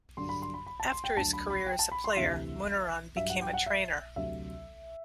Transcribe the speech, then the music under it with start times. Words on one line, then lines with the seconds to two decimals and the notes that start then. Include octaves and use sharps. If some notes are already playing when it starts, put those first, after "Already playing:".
After his career as a player, Munaron became a trainer.
0.17 G2 D3 F#3 C6
0.29 B5
0.42 C6
0.54 B5
0.67 B5
0.80 A5
0.92 C6
1.04 G5
1.17 D2 D3 F#3 A5
1.33 B5
1.50 B5
1.66 G5
1.79 A5
1.92 B5
2.04 C6
2.16 D2 C3 E3 E5
3.16 G2 F#3 E5
3.29 F#5
3.42 G5
3.53 F#5
3.66 E5
4.16 D2 C3 F#3 E5